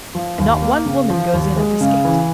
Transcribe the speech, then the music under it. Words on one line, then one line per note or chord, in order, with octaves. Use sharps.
And not one woman goes in at this gate.
F3
D#2
A#3
C#3
F3
D#2
G#3
C#3
E3